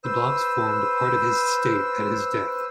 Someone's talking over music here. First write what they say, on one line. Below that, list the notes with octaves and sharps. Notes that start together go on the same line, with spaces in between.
The blocks formed part of his estate at his death.
B4 C5 E6